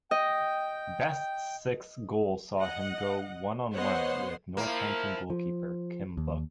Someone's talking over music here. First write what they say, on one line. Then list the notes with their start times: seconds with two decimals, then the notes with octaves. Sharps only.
Best's sixth goal saw him go one on one with Northampton goalkeeper Kim Book.
0.11 D#5 G5
2.59 D#5 F#5
3.73 B3 C5 C#5 D#5 F#5 C6
4.57 F3 A#3 E4
5.30 F3
6.17 D#2